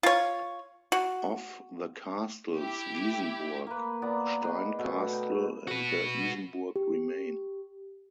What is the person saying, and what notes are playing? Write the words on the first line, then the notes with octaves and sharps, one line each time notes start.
Of the castles, Wiesenburg, Stein Castle and the Isenburg remain.
F4 C#5
F#4
E4 G4
A#3 B4
A#2 B3 D5 A#5
G#4 B4 D#5 G5
B2 A3
G5
F#4 B4
G4